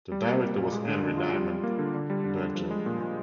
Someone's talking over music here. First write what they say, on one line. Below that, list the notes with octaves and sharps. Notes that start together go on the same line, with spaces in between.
The director was Henri Diamant-Berger.
G3
A#3
A#3
A#2
G#3
D3
D4
F4
G3
G3
A#3
D3
D3
G3
D4
G3
F3
G#3
A#2
A#2